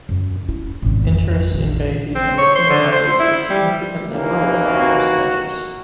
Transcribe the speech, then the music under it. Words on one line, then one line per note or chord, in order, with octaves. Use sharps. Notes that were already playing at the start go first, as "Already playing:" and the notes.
Interest in babies and becoming mothers is significantly lower by most measures.
F#2
C#4 E4
G#1 B2
F2 F3
A#1 D#3
C4
C#5
C5
D3
C5
E4
G3
D#2 E3 A#3
F#4